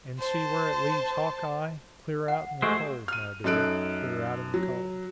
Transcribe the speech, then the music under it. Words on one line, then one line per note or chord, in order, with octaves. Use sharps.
And see where it leaves Hawkeye-clear out in the cold, my dear, clear out in the cold.
C5 A5
F#5
G#3 A3 G4 A4 C5
F6 D#7
F#2 D#4 A4 F#6 D7
F#3